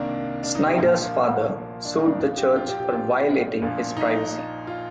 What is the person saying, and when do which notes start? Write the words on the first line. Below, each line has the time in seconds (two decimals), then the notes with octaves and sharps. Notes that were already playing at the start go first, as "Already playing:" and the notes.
Snyder's father sued the church for violating his privacy.
Already playing: C2 C3 D#3 A#3 D4
0.43 D4
0.55 D#4
0.67 G4
0.78 A#1 A#2 F3 A#3
1.02 A#3
1.85 D4
1.96 D#4
2.08 D4
2.20 A#1 A#2 F3 D4
2.38 G4
2.56 F4
2.68 G4
2.79 G4
2.91 F4
3.62 A#1 A#2 F3
3.97 D#4
4.67 F4